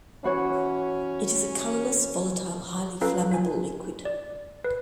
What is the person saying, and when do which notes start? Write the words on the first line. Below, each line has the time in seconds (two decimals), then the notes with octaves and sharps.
It is a colourless, volatile, highly flammable liquid.
0.24 E3 C#4 F#4 C#5
3.01 C#4 F4 A4 B4 F5 A#5
3.32 F4 G#5
4.05 D5
4.64 B4